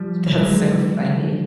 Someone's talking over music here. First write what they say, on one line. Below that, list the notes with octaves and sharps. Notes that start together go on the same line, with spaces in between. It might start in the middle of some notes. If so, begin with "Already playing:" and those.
That's so funny.
Already playing: F3 G3
F#3 G#3